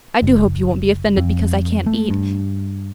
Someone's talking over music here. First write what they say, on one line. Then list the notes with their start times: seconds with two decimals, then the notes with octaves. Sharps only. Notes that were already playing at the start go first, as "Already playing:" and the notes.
I do hope you won't be offended because I can't eat.
0.22 F#1
1.17 F2
1.86 A3
2.10 G2